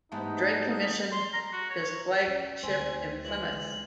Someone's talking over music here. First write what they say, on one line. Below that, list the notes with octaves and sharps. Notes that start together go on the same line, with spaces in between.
Drake commissioned his flagship in Plymouth.
G#2 E3 A3 B3 D#4 G4 F#5
C6
A#5
F#4
C#5
C#4
D2 C4 D#4 G#5
E3 G#3 F#7
D2